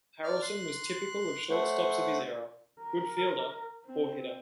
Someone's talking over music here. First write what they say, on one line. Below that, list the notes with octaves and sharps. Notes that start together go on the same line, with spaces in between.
Harrelson was typical of shortstops of his era: good fielder, poor hitter.
D5 F6
C6 F#6
A3 C5 C#5 F#5
A#4
C4